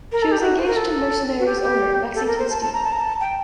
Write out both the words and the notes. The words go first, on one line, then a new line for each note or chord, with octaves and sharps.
She was engaged to Mercenary's owner, Lexington Steele.
A#4
A4
G4
F#4
C5
A#4
A4
F#4
G4
G4
A4
A#4
C5
A5
A5
A#5
A5
A#5
A5
G5